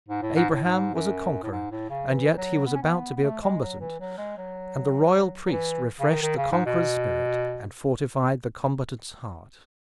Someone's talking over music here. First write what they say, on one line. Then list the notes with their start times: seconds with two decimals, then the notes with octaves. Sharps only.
Abraham was a conqueror, and yet he was about to be a combatant, and the royal priest refreshed the conqueror's spirit, and fortified the combatant's heart.
0.09 G#2
0.22 A2
0.36 G#2
0.50 A2
0.63 G#2
0.95 F#2
1.43 A2
1.52 G#2
1.71 A2
1.90 C#3
2.09 E3
2.38 F#3
2.65 B3
2.75 C#4
2.82 B3
3.16 B3
3.23 A3
3.42 G#3
3.61 F#3
3.80 E3
4.00 F#3
4.18 G#3
4.38 F#3
5.47 F#3
5.51 E3
6.00 C#3
6.09 D#3
6.23 D#3
6.37 C#3
6.52 G#2
6.66 B2